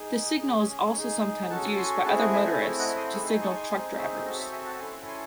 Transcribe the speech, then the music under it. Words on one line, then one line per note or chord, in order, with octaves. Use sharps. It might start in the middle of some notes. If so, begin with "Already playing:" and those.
This signal is also sometimes used by other motorists to signal truck drivers.
Already playing: D#4 G#4
C#4 G#4
D#4 G#4
C#4 F#4 A4 F#5 A5
G#5 C6
A3 C4 E4 G#4 F#5 A5
D#5 F#5
E5 G#5
D#5 F#5
A3 C4 E4 C#5 E5
D#5 F#5
C6 D#6
D#4 G#4 C#6 E6
C6 D#6
A5 C#6
G#5 C6
C4 D#4 G#4 G#5 C6
C#5 E5
C4 F#4 A4 C5 D#5
C#5 E5
E5 G#5
F#5 A5
C#4 E4 A4 G#5 C6
G#5 C6